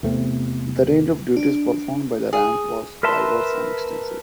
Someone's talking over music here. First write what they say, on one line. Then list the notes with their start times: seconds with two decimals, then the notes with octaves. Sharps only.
The range of duties performed by the rank was diverse and extensive.
0.03 E2 C3 A3 C4
1.37 D4
2.33 G#4
3.03 A#4 B4 E5 A5 C6